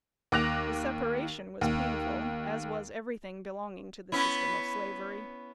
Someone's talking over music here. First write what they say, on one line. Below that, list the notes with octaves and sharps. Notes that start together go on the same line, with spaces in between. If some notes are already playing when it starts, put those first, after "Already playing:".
The separation was painful, as was everything belonging to the system of Slavery.
D#2 D6 F#6 A#6 F7
D#2
B3 C#4 E4